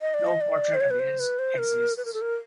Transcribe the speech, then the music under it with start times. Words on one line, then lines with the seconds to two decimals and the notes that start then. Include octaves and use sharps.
No portrait of his exists.
0.01 D#5
0.14 D5
0.27 D#5
0.41 D5
0.74 C5
0.81 C#5
0.91 B4
1.00 C5
1.19 B4
1.39 C5
1.58 A#4
1.97 B4
2.05 A#4
2.14 A4
2.21 A#4